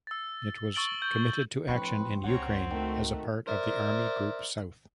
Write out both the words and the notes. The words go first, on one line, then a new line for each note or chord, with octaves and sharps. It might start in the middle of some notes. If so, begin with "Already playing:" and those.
It was committed to action in Ukraine as a part of Army Group South.
E6 A6
C#6 E6 A6 D7 F#7 G7
G6
A2 F3 C4 D4 B4 C#6
C#2 C4 C#4 C#5 F#5 A#5
D#3 A3 F#4
A#4 C5 D5 E5